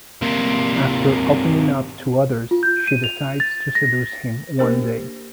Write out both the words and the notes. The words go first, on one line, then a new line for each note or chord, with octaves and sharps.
After opening up to others she decides to seduce him one day.
C3 A#3
F4
G6
D#7
F7
A6
A#6
A#3 D4 G4 A#4 C5